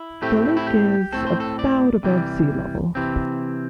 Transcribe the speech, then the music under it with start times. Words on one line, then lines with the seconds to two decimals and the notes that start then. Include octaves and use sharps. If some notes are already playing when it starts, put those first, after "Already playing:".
The lake is about above sea level.
Already playing: E4
0.22 A2 A3 C4 G4
0.57 E4
0.67 G4
1.12 A2 A3 C4 A4
1.26 C5
1.40 A4
1.59 D5
2.03 C3 E3 G3
2.95 C3 E3 C4